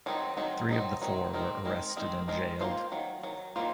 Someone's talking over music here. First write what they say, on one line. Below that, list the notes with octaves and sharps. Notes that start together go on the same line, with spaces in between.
Three of the four were arrested and jailed.
D#3 F#3 C4 D#4
D#3 F#3 C4 D#4
D#3 F#3 C4 D#4
D#3 F#3 C4 D#4
D#3 G#3 C4 D#4 A#4
D#3 G#3 C4 D#4 A#4
D#3 G#3 C4 D#4 A#4
D#3 G#3 C4 D#4 A#4
D#3 F#3 A#3 F4 C5
D#3 F#3
D#3 F#3
D#3 F#3 A#3 F4 C5